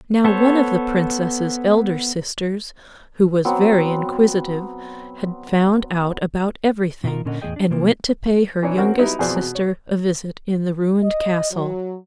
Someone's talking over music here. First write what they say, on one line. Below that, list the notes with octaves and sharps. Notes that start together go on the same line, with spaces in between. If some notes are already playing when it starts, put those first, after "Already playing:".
Now one of the Princess's elder sisters, who was very inquisitive, had found out about everything, and went to pay her youngest sister a visit in the ruined castle.
B3 A4 C5 C#5
F#3 B3 C4
B2 D#4 F4 A#4
A#2 D3 C#4 A#4 D#5 F#5
E2 A2 G#3 G#4 D#5 G5
D4 A5
C3 F3 A#3
E3 D4 D#4 C#5
C4 C#4 F#4 A#4
F#3 G3 B3 D#4 E4
F2 B2 E3 G#4 C5 D5
B2
C#5
D#5
F#3